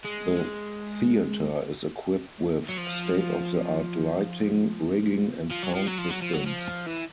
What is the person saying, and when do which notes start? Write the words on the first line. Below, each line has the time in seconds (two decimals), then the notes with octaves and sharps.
The theatre is equipped with state-of-the-art lighting, rigging and sound systems.
0.05 G#3
2.69 F#3
2.78 F3
5.50 F3
5.63 F#3
5.74 F3
5.87 F#3
5.98 F3
6.10 F#3
6.22 F3
6.34 F#3
6.47 F3
6.87 E3